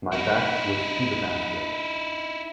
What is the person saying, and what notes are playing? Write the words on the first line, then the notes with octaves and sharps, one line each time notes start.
My back was to the basket.
D#4 E4